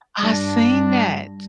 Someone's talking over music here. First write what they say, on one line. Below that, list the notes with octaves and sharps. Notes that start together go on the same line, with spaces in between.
I seen that.
G2 G3 D4 A5 A#6